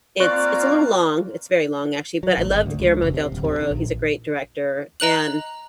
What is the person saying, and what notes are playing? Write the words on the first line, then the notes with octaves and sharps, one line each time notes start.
it's it's a little long, it's very long, actually, but I loved Guillermo del Toro, he's a great director, and
A#3 C4 F4 D5 C#6 F#6 A#6
F#3
A1
G#1
D2
C#2
F1
C3
D1
C3
D#3
A#1
D#5 A#5 F#6 F#7